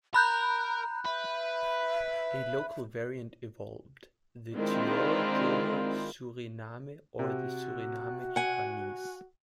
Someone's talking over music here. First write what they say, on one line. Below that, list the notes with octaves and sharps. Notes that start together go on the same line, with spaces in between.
A local variant evolved: the "Tyoro Jowo-Suriname" or "Suriname Javanese".
A#4 A#5 B5 F#6 G6
B4 E5
D#3 G#3 C4 D4 E4 F4
C3 F#4
F#5 G#5